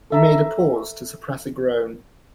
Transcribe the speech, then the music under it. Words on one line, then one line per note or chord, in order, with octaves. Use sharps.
He made a pause to suppress a groan.
A4 E5 A#5